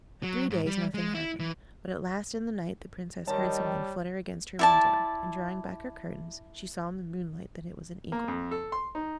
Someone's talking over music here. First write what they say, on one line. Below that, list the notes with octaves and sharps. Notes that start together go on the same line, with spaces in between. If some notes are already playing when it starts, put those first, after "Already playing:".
For three days nothing happened, but at last in the night the Princess heard something flutter against her window, and drawing back her curtains she saw in the moonlight that it was an Eagle.
F#3
G#2
G3
G#3
E4
E3
D#3 G3 C#5 A5
E4 D5 A5
A#3
F2
A4
C6
D#4